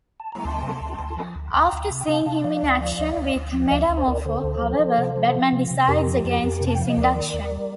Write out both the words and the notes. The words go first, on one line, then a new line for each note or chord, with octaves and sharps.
After seeing him in action with Metamorpho, however, Batman decides against his induction.
A5
A#5
D2 A5 C6
C3
D2
D2
F3
D2
D2 G5 A#5
D2
C3
G5
C3 F5 A5
C3 F5 A5
F3 D5 F5
D2
F3
D2
D2
D2
F3
D#5
D2 D5 F5
D2
C5
D2 A#4 D5
D5
D3 A4 C5
D2
F3
F3
C3
F3
F3
C3
C3
F2 G4 A#4
F3
F2
F2
C3
A5
G5
F3 F5
D#5
D#2 A#4 D5
D#3
D#2
G3